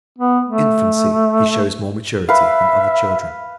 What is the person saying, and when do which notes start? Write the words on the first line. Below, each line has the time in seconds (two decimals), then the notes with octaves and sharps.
From infancy he shows more maturity than other children.
0.19 B3
0.48 A3
2.29 B4 E5 F5